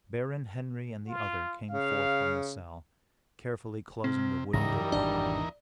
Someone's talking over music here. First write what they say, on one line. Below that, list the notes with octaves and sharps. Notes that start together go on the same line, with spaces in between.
Baron Henry and the other came forth from the cell, carefully closing the wooden door behind them.
F4
C#3 F5
C3 C4
D2 G#2 C#3 E3 G3 D#4 A#4 A#6
G#1 B2 D4 D5